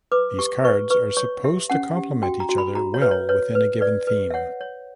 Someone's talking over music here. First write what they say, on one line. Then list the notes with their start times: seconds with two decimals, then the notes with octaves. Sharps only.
These cards are supposed to complement each other well within a given theme.
0.12 B4 D6
0.39 G4 C#6
0.64 B4 C#6
0.90 B4 C#6
1.17 C#5 C#6
1.44 G4 E5
1.70 C#4 F#5
1.96 G4
2.22 F#4 G5
2.40 A#5
2.49 F#4
2.58 B5
2.75 F#4 A#5
2.94 C#5
3.02 B4
3.11 C#5
3.29 B4 C#5
3.55 B4
3.81 B4 D5
4.07 B4
4.30 E5
4.34 C#5 F#5
4.61 C#5